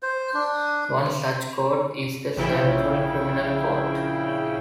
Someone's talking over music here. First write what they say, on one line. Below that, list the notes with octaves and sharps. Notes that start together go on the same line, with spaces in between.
One such court is the Central Criminal Court.
C5
D4
A#1 C#3 E4 G5